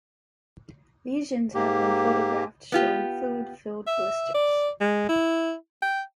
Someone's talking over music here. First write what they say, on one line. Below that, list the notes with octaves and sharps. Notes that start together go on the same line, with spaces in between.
Lesions have been photographed showing fluid-filled blisters.
G#2 A#3 G4
B3 F4 G4
E5
D5
G#3
E4
G5